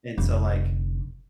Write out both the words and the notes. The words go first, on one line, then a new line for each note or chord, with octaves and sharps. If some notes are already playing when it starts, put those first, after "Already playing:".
and so, like,
F1 D3